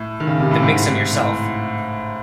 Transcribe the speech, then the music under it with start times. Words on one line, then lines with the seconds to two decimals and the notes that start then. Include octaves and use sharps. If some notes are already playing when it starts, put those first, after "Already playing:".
Then make some yourself.
Already playing: A2
0.20 D#3
0.27 C#3
0.39 C3
0.51 A2
0.63 G#2
1.13 A2